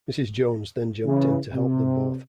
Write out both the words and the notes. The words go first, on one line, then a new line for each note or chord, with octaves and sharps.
Mrs. Jones then jumped in to help them both.
C#3 E3
C3